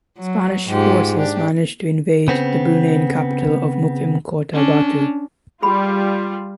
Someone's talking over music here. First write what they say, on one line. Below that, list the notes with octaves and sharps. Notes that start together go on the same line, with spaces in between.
Spanish forces managed to invade the Bruneian capital of Mukim Kota Batu.
F#3
G#2 F4 G4
D4 G4
C#3 B3 C4
C#4 D4
G3 F4 G#4 B5